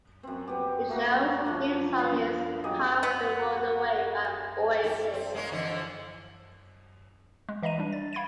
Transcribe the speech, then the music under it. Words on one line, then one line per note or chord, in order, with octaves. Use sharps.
The show's theme song is "Half the World Away" by Oasis.
F#2 C4
B3 G4
A3 A#3 F#4
D3 F3
F5
F#3 G4 G#4 D#5
B3 F#4
E4 G4
C4
G#3 A#3 C#4
F2 D3 E3
G#3
E3 D#5 E5 A#5 D#7
G3 D4
A6
F5 B5 G#6 A6 D7 D#7